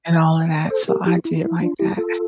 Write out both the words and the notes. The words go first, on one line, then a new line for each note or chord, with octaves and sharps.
and all of that so I did like that.
D5
A4 C5
G4 A#4
E4 G4
E4
E4
D4 F4
E4 G4
F4 A4